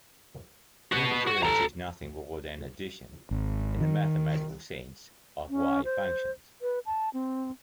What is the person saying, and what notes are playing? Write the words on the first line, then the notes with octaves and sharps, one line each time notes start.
Interference is nothing more than the addition, in the mathematical sense, of wave functions.
F#4 B4
F#4
A4 A#5
G#1
D#3
C#4
C5
B4
A5
C4